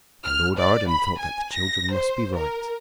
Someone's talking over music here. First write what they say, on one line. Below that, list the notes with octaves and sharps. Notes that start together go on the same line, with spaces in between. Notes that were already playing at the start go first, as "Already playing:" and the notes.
And Lord Arden thought that the children must be right.
F6
D5
B5
G#5
A#6
C5
A#4